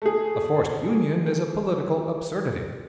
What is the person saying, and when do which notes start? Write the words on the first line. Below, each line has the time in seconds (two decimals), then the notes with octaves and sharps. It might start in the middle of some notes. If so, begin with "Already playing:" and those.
A forced union is a political absurdity.
0.02 A3 G#4